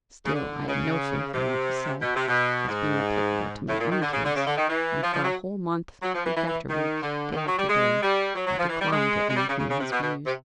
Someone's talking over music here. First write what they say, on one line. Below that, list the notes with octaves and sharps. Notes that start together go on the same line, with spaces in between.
Still, I had no faith in what he said, as being applicable to my own case; and for a whole month, week after week, day after day, I declined to entertain his views.
C#3
D3
C#3
C3
B2
C3
B2
G#2
A2
A#2
D#3
D3
C#3
D3
C#3
D3
D#3
E3
F3
F3
F#3
F#3
F3
E3
E3
E3
D#3
D3
D3
D#3
F#3
G3
G#3
G3
F#3
F#3
F3
E3
G3
G#3
G#3
G3
C#3
C#3
C#3
C3
B2
B2
C3